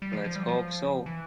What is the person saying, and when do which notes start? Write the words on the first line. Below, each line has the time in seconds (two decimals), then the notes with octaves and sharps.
Let’s hope so.
0.02 G3
0.13 F3
0.24 F3
0.35 G3
0.48 F3
1.06 E3